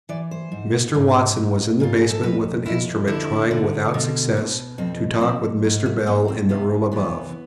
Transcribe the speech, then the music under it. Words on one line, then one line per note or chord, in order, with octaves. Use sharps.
Mr. Watson was in the basement with an instrument trying without success to talk with Mr. Bell in the room above.
E3 D5
C5
G#2
G#2
G#2
G#2 F4
G#4
A4
F2 B4
F2 E4
D3 E4
D3
B2
B2
F2 C4
F2 C4
G#2
A3
G#2 B3
C4
C3 B3
E3 B3